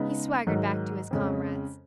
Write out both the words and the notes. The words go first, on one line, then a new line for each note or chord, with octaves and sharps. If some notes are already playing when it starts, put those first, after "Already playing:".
He swaggered back to his comrades.
Already playing: C#3 G#3 B3 D#4
G#2 D#3 F#3
F2 C#3 G#3 C#4